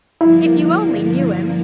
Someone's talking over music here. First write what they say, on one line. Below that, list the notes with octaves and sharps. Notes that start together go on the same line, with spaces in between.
If you only knew him!
G2 D3 F3 A#3 E4